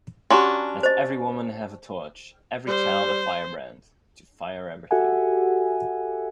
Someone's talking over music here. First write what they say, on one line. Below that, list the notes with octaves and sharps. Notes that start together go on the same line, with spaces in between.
"Let every woman have a torch, every child a firebrand" to fire everything.
C#4 D4 F#4 G4 A#5 C6
C5 D#5
G3 C5
F#4 G4 A4 E5 F#5 G#5